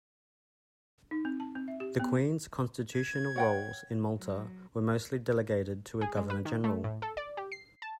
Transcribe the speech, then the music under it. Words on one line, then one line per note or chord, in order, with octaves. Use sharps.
The Queen's constitutional roles in Malta were mostly delegated to a Governor-General.
D#4
C4
A5
C4
E5
G4
B3
G#6
C#5 F#5 G5
F#3
G#4
G#3
B4
D#3
A3
A2
A4
D5
G4
C7
A5